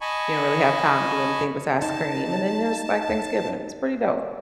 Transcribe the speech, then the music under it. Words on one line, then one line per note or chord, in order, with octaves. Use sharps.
you don't really have time to do anything besides scream, and then there's like Thanksgiving, it's pretty dope.
D#5 G#5 A5 B5 C#6
D#4 A5